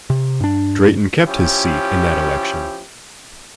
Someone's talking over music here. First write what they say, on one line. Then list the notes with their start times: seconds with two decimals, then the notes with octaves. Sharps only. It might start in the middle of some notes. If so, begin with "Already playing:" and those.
Drayton kept his seat in that election.
0.10 C3
0.40 G2 D4
1.26 F3 C#4 E4 G4